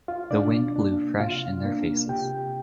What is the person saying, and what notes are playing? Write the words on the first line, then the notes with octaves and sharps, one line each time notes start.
The wind blew fresh in their faces.
F4 F5
C3 D4 D5
A#3 D4
C3 F4 F5
A#3 D4
C3 G4 G5